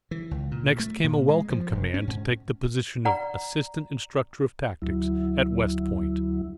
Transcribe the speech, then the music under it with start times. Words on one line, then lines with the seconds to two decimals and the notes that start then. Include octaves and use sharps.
Next came a welcome command to take the position of Assistant Instructor of Tactics, at West Point.
0.11 E3
0.31 C#2
0.51 A#2
0.80 A3
1.04 A#2
1.28 G#3
1.50 F3
1.73 F1
1.94 C#4
2.07 G#2
3.05 D5 F#5 A#5
4.82 D2 F#3 E4